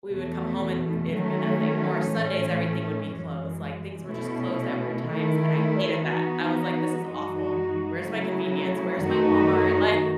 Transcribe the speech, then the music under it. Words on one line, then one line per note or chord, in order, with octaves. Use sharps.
we would come home and it would be nothing, or Sundays, everything would be closed, like things were just closed at weird times, and I hated that, I was like, "This is awful. Where's my convenience? Where's my Walmart?" Like
E2 B2 A3
D#3 F#3 A3 C#4
A2 E3 A3 C#4
F#2 E3 G#3
B2 A3 C#4 E4
D#3 A3 E4
E3 B3 D#4 F#4
F#2 E3 G#3 D#4 F#4
C#3 F#3 A3 E4
F#2 D#3 A3 D#4 F#4